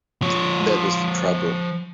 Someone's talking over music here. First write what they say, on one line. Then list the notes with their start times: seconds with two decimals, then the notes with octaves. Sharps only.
That is the trouble.
0.22 F3 C#5